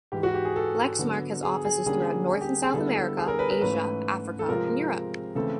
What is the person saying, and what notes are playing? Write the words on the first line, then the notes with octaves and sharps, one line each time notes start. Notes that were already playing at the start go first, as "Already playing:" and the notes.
Lexmark has offices throughout North and South America, Asia, Africa and Europe.
G#2 E3 G#3 G4
F#4
G4
G#4
A4
D3 F#3 B3
G#4
G#4
D3 G3 A#3 C#4 G#4
G#4
G4
G#4
D3 G3 B3 E4 A4
A4
G#4
A#4
B4
B4
G#2 E3 A3 C#4 B4
A4
C3 F3 G#3 C4 F4 A#4
C#3 E3 A3 C4 A4